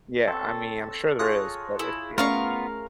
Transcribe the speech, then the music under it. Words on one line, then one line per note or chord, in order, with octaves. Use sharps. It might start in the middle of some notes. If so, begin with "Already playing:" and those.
Yeah, I mean, I'm sure there is, but it's Yeah.
C4 A4 C#5
F4 G#4 C#5 D#6 F#6 A#6
E4 G#4
A3 B3 C#4 F4 A#4 F5 C#6